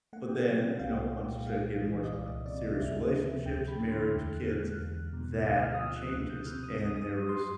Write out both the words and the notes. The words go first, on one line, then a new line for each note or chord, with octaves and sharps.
But then, you know, once you start getting more s uh, serious relationships, marriage, kids, that changes. And there was
A3 F#5
G5
F#5
F#3
G5
C2 F5
A#2
G#3 F5
E3
D#5
C2 D5
C3 D5
D2 E5
F3
D2 G5
B5
D3
C6
E2 F6
F#6
G#3
F6
F#6
E2
B2
D2
F6
D#6
F3 E6
F#6
D2 F#6
G6
C3 F6
D#6
G2 D#6
D#6
F#3
C6
C6